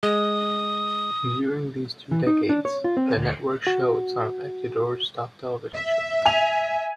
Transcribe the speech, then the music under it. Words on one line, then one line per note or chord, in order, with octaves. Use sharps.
During these two decades the network showed some of Ecuador's top television shows.
G#3 D#6
E3
D#4
D4
C#5
F4
C4
D2
F#4
E5
G#5 F7